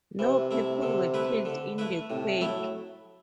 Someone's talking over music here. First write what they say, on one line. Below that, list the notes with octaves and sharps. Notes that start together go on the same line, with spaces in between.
No people were killed in the quake.
C3 E3
A3 E4
D3
A3 E4 B4
D3
A3 E4 B4
A2 C3
F#3 A3 E4